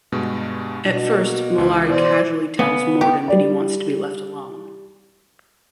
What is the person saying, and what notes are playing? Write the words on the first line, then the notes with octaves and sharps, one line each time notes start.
At first, Mollari casually tells Morden that he wants to be left alone.
G2 B2 G#3
B2 D4
A#3 F#4
C#2 E3
B2 E3 C5 D5
C#3 B3
G4
G3 D5